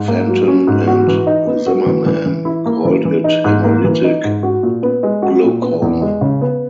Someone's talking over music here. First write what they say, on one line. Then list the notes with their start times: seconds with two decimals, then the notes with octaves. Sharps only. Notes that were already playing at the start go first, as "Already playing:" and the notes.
Fenton and Zimmerman called it hemolytic glaucoma.
Already playing: G#2
0.08 A#3
0.28 F#3
0.48 C#4
0.67 G#2
0.87 F#4
1.08 E3
1.27 D#4
1.47 B3
1.66 F#4
1.86 E3
2.06 E3
2.26 E3
2.45 E4
2.66 A#3
2.85 E3
3.05 E3
3.24 D#4
3.44 G#2
3.64 A#3
3.84 E3
4.04 D#4
4.24 G#2
4.43 F#4
4.63 A#2
4.83 B3
5.03 G#3
5.22 F#4
5.43 A#2
5.62 B3
5.82 E2
6.02 G#3
6.21 C#3
6.41 B3